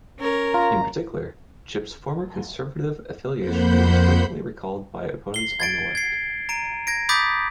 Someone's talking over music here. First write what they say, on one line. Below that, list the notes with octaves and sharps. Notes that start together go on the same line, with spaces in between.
In particular, Chipp's former conservative affiliation was frequently recalled by opponents on the left.
C#4 A#4
F4 A#5
F2 A#3 C5 F#5 B5 G6
C7 G7
G#6 A6 D7
G#6 C7
A#5 D7 D#7
G#6 A#6 D7
B5 D6 D#6 G6 A6 B6